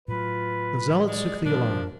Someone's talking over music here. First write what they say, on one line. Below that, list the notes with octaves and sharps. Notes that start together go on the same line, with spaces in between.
The zealots took the alarm.
A2 F#3 F4 B4
G#3 D5
A#2 F3 G3 D4 A#4